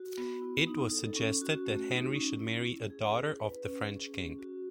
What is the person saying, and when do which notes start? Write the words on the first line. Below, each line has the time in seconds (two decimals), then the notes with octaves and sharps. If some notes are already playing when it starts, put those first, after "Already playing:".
It was suggested that Henry should marry a daughter of the French king.
Already playing: F#4
0.17 B3
0.42 E4
0.67 D#4
0.92 A4
1.16 C#4
1.41 F#4
1.66 A3
1.91 D#4
2.15 C#4
2.40 E4
2.65 C#4
2.90 G#4
3.15 E4
3.40 B4
3.64 C#4
3.89 G#4
4.14 C#4
4.39 F#4